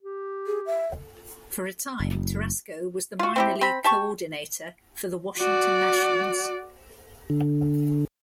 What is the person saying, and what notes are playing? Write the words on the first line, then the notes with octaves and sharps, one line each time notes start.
For a time, Tarasco was the minor league coordinator for the Washington Nationals.
G4
G#4
E5
F#1
F4 F#4
C4 E4 G4
C4 B5
G4 A5 C#6
F#4 D5
D3